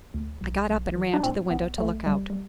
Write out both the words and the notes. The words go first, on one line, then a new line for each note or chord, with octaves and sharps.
I got up, and ran to the window to look out.
D2
B1
B1
E3
D4
A2 C4
B1 B3
B1 A3
A1 G3
G3